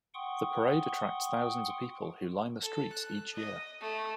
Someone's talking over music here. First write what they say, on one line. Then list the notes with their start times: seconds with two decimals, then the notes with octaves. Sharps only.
The parade attracts thousands of people who line the streets each year.
0.14 F#5 G5 C6 C#6 D#6
2.63 A4
2.92 F#6
3.34 D#5
3.80 A3